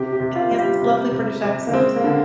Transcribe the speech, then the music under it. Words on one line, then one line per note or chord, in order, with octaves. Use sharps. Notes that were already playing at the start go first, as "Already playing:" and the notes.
and he has this lovely British accent.
Already playing: C3 G4
G4
C3
F4
G3
G4
C3
C3
C3
A#3
G#3 C4
A#3
D3